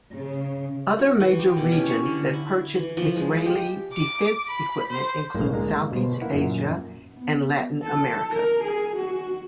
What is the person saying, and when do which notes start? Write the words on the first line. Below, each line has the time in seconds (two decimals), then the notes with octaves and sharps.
Other major regions that purchase Israeli defense equipment include Southeast Asia and Latin America.
0.12 C#3
0.99 F#4
1.20 E3
1.39 G4
1.57 B2
1.72 C#4
1.88 C#6
2.06 D3
2.33 E4
2.74 E3
2.97 F3
3.16 G#3
3.46 G4
3.93 D6
4.49 B5
4.90 C5
5.34 B1 A2 G#3 A#3
5.52 D3 G#3 A#3 A#5
5.92 B2 C5
6.21 A#3 E4 F#5
6.34 F#2 A#2
7.14 B3
7.83 A4
8.32 A#4
8.63 G#4
8.96 F#4